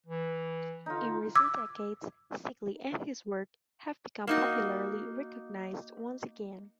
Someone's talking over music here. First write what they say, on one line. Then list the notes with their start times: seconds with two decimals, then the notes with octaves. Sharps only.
In recent decades, Stickley and his work have become popularly recognized once again.
0.06 E3
0.86 D3 D#4 F4
1.35 D6 E6 G#6
4.27 A#3 D#4 F#4